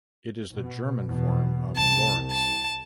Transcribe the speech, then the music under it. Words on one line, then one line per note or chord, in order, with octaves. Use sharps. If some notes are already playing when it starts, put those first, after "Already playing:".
It is the German form of Laurence.
B2
E2 B2
C2 A5
A5